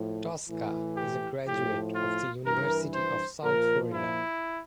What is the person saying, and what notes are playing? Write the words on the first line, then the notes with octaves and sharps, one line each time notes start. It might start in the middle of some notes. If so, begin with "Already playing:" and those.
Tosca is a graduate of the University of South Florida.
Already playing: A2 F3
A2 E3
G4
A2 F3 G4
F4
G2 E3 A#4
C5
A#2 F3 A#4
E4